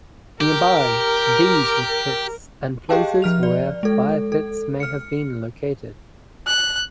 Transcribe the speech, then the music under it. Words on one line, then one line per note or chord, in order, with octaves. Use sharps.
Nearby these were pits and places where fire pits may have been located.
G4 A#4
G4 G#4 D#5 F5 G5 A5
F3 F6 F7
D5
G#3 A4
A4
F6 C#7
F#6